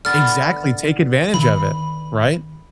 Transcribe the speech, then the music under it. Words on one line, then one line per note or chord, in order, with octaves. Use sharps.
Exactly, take advantage of it, right?
D3 B3 F6 A6
D#3 B4 B5